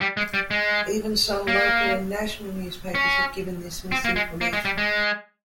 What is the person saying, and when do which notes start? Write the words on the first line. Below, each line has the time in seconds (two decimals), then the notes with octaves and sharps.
Even some local and national newspapers have given this misinformation.
0.01 G3
0.17 G#3
0.34 G3
0.51 G#3
1.48 A#3
2.95 C#4
3.92 C4
4.05 A#3
4.16 G#3
4.41 A#3
4.53 G#3
4.65 G3
4.78 G#3